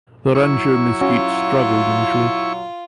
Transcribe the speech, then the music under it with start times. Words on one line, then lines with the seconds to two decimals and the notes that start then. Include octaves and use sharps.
The Rancho Mesquite struggled initially.
0.35 F#3 E4 C#6
1.01 C#4 F4 F#4